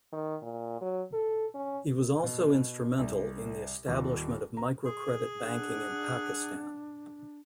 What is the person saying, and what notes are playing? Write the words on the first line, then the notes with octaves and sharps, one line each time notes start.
He was also instrumental in the establishment of microcredit banking in Pakistan.
D#3
A#2
F#3
A4
C#4
B2
C2
D#1
A#5
G#4
D4 F#5